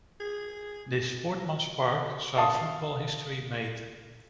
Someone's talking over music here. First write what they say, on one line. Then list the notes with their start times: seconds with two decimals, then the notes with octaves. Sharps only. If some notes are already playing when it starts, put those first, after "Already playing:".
This Sportsman's Park saw football history made.
0.21 G#4
2.36 E5 F5 A5 D#6